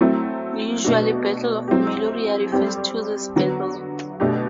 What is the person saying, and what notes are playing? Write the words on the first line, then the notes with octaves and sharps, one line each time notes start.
Usually, "Battle of Meloria" refers to this battle.
F#3 A3 C4 E4
B2 A3 D4 F#4
F#3 C4 E4 G4
G3 C4 G4
D3 F#3 B3 F#4
B2 A3 D4 G4